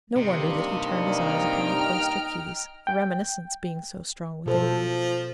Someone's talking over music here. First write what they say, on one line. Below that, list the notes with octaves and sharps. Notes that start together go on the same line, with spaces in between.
No wonder that he turned his eyes upon the cloister keys, the reminiscence being so strong within him.
G2 C3 A#3 D#4
G5 A#5 F6
G5
B2 F3 A4 C5